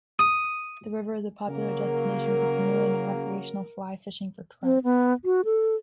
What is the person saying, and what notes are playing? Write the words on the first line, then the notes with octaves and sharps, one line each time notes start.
The river is a popular destination for canoeing and recreational fly fishing for trout.
D#6
C#3 F#3 A#3 A#4
C4
B3
F#4
A4